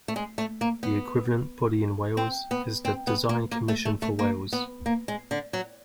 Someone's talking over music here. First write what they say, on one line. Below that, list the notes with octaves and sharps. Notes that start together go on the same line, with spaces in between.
The equivalent body in Wales is the Design Commission For Wales.
A3
G#3
A3
A#3
B3
C4
B3
C4
B3
A#3
A#3
A3
A3
A3
A#3
B3
A#3
G#3
D3
F#3